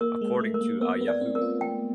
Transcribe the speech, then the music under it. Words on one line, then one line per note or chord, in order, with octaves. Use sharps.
According to a Yahoo!
A#3 A#4
G#3
A#4
A3
A#4
A#3
B3 A#4
B3
D5
C4
A#4
F4
G5